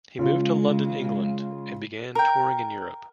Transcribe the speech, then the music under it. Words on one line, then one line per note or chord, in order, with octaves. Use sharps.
He moved to London, England, and began touring in Europe.
C#3 G#3 F4
A#4 G5